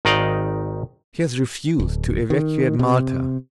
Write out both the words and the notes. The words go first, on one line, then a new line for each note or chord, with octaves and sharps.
She has refused to evacuate Malta.
G#1 D#3 D#4 D5 D#5 F5
D1
D#3
C3